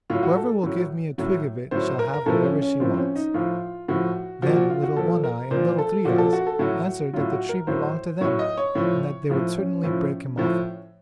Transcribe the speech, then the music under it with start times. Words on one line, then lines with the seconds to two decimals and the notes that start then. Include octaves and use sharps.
Whoever will give me a twig of it shall have whatever she wants.' Then Little One-eye and Little Three-eyes answered that the tree belonged to them, and that they would certainly break him off a twig.
0.10 A2 F#3 F4
0.23 F#4
0.37 A4
0.63 A2 F#3
1.18 A2 F#3
1.71 A2 F#3 C5
1.99 A#4
2.14 A#4
2.26 A2 F3 A4
2.44 C#4
2.62 C#4
2.80 A2 F3 C4
2.94 C4
2.98 C#4
3.16 D#4
3.34 A2 F3 F4
3.88 A2 F3 F#4
4.42 A#2 F3 F#4
4.56 F#4
4.70 F4
4.83 F#4
4.97 A#2 F3 A4
5.24 A#4
5.51 A#2 F3 C5
5.78 A4
6.05 A#2 F3 F#4
6.18 A4
6.33 F#4
6.47 A4
6.59 A2 F#3 F#4
7.13 A2 F#3 F4
7.31 F#4
7.49 A#4
7.67 A2 F#3 C5
8.21 A2 F#3 C#5
8.39 D#5
8.57 C#5
8.75 A2 F3
9.30 A2 F3
9.57 C#4
9.84 A2 F3
10.38 A2 F3